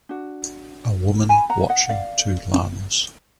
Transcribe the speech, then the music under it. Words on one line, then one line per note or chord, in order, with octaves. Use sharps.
A woman watching two lamas.
D4 F#4
G#5 B5
F#5 A#5
D#5 F#5
D5 F5